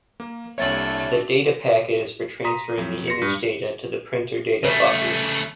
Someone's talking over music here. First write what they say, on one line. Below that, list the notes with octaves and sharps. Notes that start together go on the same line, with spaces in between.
The data packet is for transferring the image data to the printer data buffer.
A#3
C2 A3 A#3 D4 C#5 E5 A6 F#7
A#5 C6 D#6 B6
F2 F#3
C6 A#6 C7 C#7
G2
C#3 A3